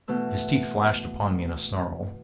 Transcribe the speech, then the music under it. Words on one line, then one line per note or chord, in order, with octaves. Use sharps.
His teeth flashed upon me in a snarl.
B2 E3 A3 E6